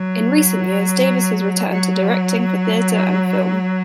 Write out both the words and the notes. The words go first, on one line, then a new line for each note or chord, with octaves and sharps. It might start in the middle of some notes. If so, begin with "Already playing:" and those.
In recent years Davis has returned to directing for theatre and film.
Already playing: F#3
F#3